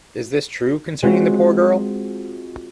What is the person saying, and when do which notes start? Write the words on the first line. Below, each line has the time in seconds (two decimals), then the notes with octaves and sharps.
Is this true concerning the poor girl?
1.02 G#3 C4 F4 F#4 C5